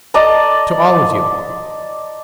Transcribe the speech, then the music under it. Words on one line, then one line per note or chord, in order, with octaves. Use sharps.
To all of you.
D5 D#5 A5 A#5